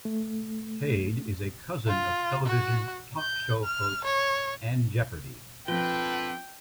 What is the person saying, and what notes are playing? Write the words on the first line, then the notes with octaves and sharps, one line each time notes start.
Haid is a cousin of television talk show host and Jeopardy!
A3
F4
F#4
G6
F6
C#5
F3 C4 D4 F4 A4 B4 G5